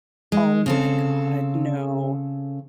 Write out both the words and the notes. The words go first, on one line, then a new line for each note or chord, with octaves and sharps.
Oh my God. No.
G#3
C#3 C4 A4